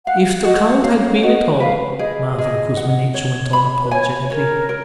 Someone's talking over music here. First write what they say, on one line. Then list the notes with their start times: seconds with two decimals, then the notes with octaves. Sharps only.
"If the count had been at home..." Mavra Kuzminichna went on apologetically.
0.06 F5 F#5
0.45 F#4 D#5
0.84 C#5 F5
1.23 F#4 D#5
1.60 B4 F5
1.99 G#4 D#5
2.34 C#5
2.38 G#4 D#5
2.77 F#5
3.14 C#5
3.53 B5
3.84 B4
3.91 C#5 G#5
4.30 A#4 C#5
4.69 A#4